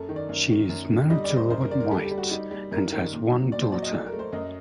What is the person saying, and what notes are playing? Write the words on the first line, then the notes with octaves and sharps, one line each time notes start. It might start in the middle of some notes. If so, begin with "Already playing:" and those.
She is married to Robert White and has one daughter.
Already playing: F#2 A4
D#3
D5
F#2
D#3
F#2
D3
G3 D#5
D5
G3
C5
F#2 C5
A#4
D3 D5
A#4
G3 A4
G4
G3
F#4
G3 D#4
G3
F#2 A#4
D#3
A#2
F#3
A#2 D5
C5
F#3 D5
D#5
A3 D5
A#4
A3
C5
F#2 D#5